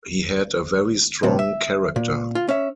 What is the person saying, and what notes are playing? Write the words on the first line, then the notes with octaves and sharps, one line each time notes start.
He had a very strong character.
D2 A2 C3
E5
A#2
F4
C#4 E5